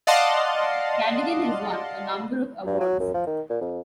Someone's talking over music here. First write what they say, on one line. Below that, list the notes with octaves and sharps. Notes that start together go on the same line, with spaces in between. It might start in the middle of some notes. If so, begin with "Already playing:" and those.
Cadigan has won a number of awards.
D5 D#5 F5 F#5 A5 C6
G2
F#3
F#2
F3
D#3
A#2
F2